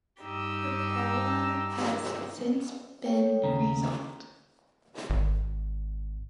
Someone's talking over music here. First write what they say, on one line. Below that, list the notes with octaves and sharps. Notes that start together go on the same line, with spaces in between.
The problem has since been resolved.
G2 D#4 G4 E6
A4 C#5 G5
D#2 C#3 A#5
G#1